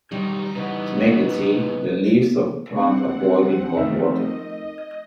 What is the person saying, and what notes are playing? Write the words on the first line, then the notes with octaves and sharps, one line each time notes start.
To make the tea, the leaves of the plant are boiled in hot water.
D#3 F#3 G3 D#4 G4 A#5
C#3 E3 D#4 B4 F#5
C4 F#5
D#3 F3 A3 C4 E5
D#5